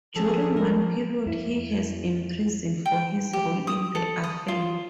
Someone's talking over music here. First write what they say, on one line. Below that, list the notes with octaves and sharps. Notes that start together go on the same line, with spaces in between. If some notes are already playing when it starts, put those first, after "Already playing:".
During one period he has imprisoned for his role in the affair.
F3 C#4 G#4 A4
A#3 A#4
F2 E4
G5
G4
D#6
A4
D#6
F4